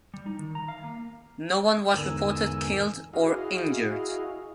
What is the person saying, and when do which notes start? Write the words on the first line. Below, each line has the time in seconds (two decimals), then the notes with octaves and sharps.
No one was reported killed or injured.
0.14 G3
0.26 D#4
0.39 D#3
0.55 A#5
0.68 F5
0.84 A#3
1.94 E2 G#2 D3 A#4 G#5 E6
3.13 E4 F#4 G#4 D#5 F5